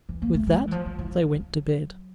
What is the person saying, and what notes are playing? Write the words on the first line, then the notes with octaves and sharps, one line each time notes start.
With that they went to bed.
E3
A#3
A3
G#3
F#3
E3
F3
F#3
E3
F3
F#3